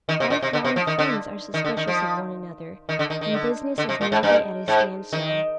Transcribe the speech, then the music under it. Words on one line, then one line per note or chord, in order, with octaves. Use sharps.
Life-long friends are suspicious of one another and business is nearly at a standstill.
D#3
C3
A#2
C3
D3
C3
F3
D#3
D3
D#3
D3
D#3
F3
D#3
D3
D#3
D#3
D3
D3
C3
A#2
G#2
G2
G#2
D#3